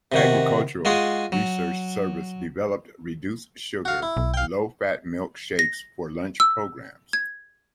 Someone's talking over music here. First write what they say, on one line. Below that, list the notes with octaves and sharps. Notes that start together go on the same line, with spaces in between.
Agricultural Research Service developed reduced-sugar, low-fat milk shakes for lunch programs.
C3 D#3 F#4
G#3 F4 F#4 G#4
F#3
F#4 F5
E4
B1
F5 G5
A#6
E6
G#6